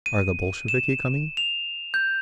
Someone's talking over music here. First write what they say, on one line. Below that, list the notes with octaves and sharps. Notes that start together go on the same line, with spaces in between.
"Are the Bolsheviki coming?"
D#7
E7
F7
G6